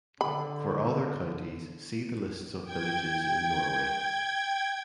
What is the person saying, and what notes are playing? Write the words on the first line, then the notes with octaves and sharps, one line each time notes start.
For other counties see the lists of villages in Norway.
D3 B5
G5 G#6